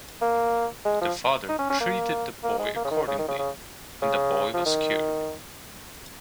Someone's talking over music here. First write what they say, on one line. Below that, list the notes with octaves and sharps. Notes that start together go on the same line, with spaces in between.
The father treated the boy accordingly, and the boy was cured.
A#3
G#3
F3
D#4
C#4
C#4
A#3
A#3
G#3
A#3
C#3
D#3
C#3
D#3
C#3
C#3
C#3
F3
D#3